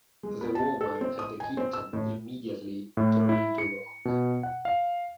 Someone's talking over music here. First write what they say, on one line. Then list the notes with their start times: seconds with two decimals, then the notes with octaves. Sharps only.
The woman and the kitten immediately turn into rock.
0.23 G#3
0.41 B3
0.55 A5
0.81 A4
1.01 C4
1.19 D#6
1.40 G#5
1.57 C4
1.73 E6
1.93 A2
2.97 A2
3.29 E4
3.58 C#7
4.05 B2
4.43 F#5
4.65 F5